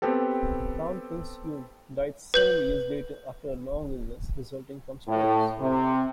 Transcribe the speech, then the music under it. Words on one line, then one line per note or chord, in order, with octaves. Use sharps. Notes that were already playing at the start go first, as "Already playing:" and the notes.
Crown Prince Eun died seven years later after a long illness resulting from strokes.
B3 C4 G4 A4
B4 G6 F#7
A2
C3